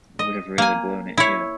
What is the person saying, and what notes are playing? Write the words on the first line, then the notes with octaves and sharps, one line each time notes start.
We have really blown it here.
D#5
A#3 G#5
E4 C#5